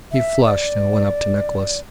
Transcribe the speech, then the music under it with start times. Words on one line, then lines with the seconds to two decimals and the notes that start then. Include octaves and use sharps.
He flushed and went up to Nicholas.
0.12 E5
0.44 D5